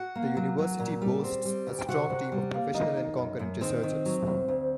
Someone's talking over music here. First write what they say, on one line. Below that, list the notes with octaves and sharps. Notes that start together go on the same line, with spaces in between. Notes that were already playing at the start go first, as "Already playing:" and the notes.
The university boasts a strong team of professional and concurrent researchers.
Already playing: F#4 F#5
A#3
F#3
F#3
A#2
G3
C4
G3
D2
G5
C3 F#4 F#5
C3
G3
A#3
D#3 D#4 D#5
D#3
F#2
F#2
D#3 C4 C5
D#3
F#3
F#2
D2